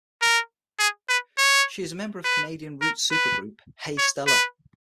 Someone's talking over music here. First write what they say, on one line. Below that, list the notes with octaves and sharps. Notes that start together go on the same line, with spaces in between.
She is a member of Canadian roots super group Hey Stella!
A#4
G#4
B4
C#5
B4
A#4
B4
C#5
B4